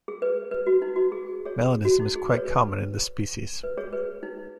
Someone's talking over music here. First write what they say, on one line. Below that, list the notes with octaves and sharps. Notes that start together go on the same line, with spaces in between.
Melanism is quite common in this species.
G#4
B4
B4
F#4
D#4
F#4
G#4
G#4 C#5
F#4
D#4
G#4
B4
C#5
B4
B4
G#4 C#5
B4
D#4